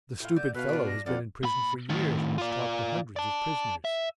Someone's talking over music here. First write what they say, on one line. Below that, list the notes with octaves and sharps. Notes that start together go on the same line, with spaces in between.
The stupid fellow has been in prison for years and has talked to hundreds of prisoners.
A2 F4
D3 G6
B2 A4 B4 F5
D4 F4
A#6
F2 D5 F5 F#5
A#2 B5
A2 D#3
F4 D5
D5 A5
E5